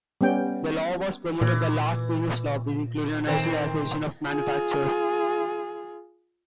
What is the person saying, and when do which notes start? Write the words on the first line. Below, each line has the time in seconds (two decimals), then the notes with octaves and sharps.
The law was promoted by large business lobbies including the National Association of Manufacturers.
0.21 G3 B3 C#4 G5
1.41 A#2 E3
3.27 D#3 C4 A4
4.28 F4 G#4